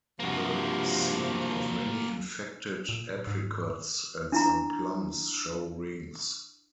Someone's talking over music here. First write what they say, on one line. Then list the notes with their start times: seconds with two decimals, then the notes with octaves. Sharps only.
The seed of many infected apricots and some plums show rings.
0.20 G2 C3 F3 A#3 F#4
2.89 A#2
3.27 G#2
4.32 D4 E4 A#5